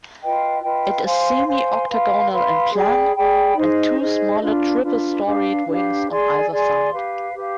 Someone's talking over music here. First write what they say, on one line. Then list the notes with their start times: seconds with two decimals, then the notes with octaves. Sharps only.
It is semi octagonal in plan and two smaller triple-storeyed wings on either side.
0.21 F4 B4 D#5 G5
0.63 F4 B4 D#5 G5
1.05 C5 F5 G#5 C6
1.47 C5 F5 G#5 C6
1.89 B4 F5 C6
2.30 B4 F5 C6
2.73 G#4 D5 G5 B5
3.15 G#4 D5 G5 B5
3.56 D#4 G#4 C5 D#5
3.99 D#4 G#4 C5 D#5
4.41 D4 F4 B4
4.82 D4 F4 B4
5.24 D4 G4 B4 F5
5.66 D4 G4 B4 F5
6.09 G#4 D5 G#5 C6
6.50 G#4 D5 G#5 C6
6.92 G4 B4 F5
7.34 G4 B4 F5